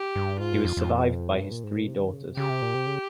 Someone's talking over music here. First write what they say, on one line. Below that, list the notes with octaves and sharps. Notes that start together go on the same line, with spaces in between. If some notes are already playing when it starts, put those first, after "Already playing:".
He was survived by his three daughters.
Already playing: G4
G2
G#2 F4
G2
F2
F2
G2
A#2
G#2
A#2
C3
D#3
C#3
C3
C#3 G4
C3
A#2
C3
C#3